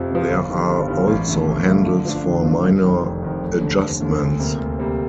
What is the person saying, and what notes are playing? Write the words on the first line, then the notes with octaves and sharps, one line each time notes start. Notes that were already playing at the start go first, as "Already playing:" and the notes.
There are also handles for minor adjustments.
Already playing: F2 C3 F3
C3 F3
G1
G2 D#3
G1
G2 D#3
A1
G2 D3 A3
A1
G2 D3 A3
D3
F3 A3 D4
D3
F3 A3 D4
F1
F2 D#3
F1
F2 D#3
F1
D#2 D3
F1
D#2 D3
D2
C3 G3 A#3
D2
C3 G3 A#3